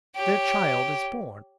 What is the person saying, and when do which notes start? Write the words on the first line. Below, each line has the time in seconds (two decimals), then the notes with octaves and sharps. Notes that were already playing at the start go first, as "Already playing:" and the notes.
Their child is born.
0.15 G4 C#5